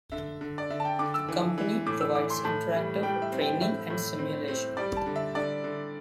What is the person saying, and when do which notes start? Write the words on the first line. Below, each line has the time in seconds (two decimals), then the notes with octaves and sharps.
The company provides "Interactive Training and Simulation".
0.12 D3 E5
0.41 D3
0.58 D5
0.70 D3 E5
0.80 A5
0.85 G5
0.99 D3 D6
1.14 E6
1.29 E3
1.58 E3
1.86 A2 D6
2.01 E6
2.15 E3 D6
2.30 C6
2.44 A2 A5
2.74 G3
3.03 G3 G5
3.22 E5
3.32 C4
3.41 G5
3.61 A2 E5
3.90 A2
4.19 C4
4.48 C4
4.77 G3 D5
4.97 A5
5.06 D3
5.16 E5
5.35 D3 D5
5.64 D3